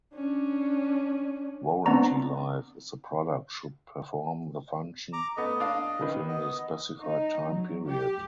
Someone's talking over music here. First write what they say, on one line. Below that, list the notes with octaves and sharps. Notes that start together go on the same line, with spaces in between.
Warranty life is the product should perform the function within the specified time period.
C#4 D4
B3 C4 D4 D5 A#5 C#6
A#5 D6
A3 B3 D#5
D4 F5
D#3 B4
B3 D#5
D#4
F#3
G4